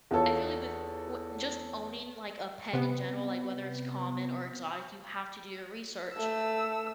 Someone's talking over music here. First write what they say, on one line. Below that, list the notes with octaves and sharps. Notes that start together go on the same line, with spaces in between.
I feel like with w just owning like, a pet in general, like, whether it's common or exotic, you have to do your research.
E2 F4 A4 C#5
C3 B3
A3 E6